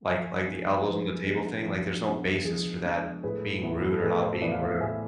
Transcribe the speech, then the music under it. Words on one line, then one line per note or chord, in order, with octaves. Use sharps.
like like, the elbows on the table thing, like, there's no basis for that being rude or not being rude.
F3 E5 G#5
G#3 B3 D4
F3 G#4 B4
G#3 B3 D4 G#4
F3
G#3 B3 D4
F3 G#4
G#3 B3 D4
A2 G#4 B4
E3 B3 E4
A4
A2 G#4 B4
A4 C5
E3 B3 E4 B4 D5
F5
C5 E5
A2 E5 G#5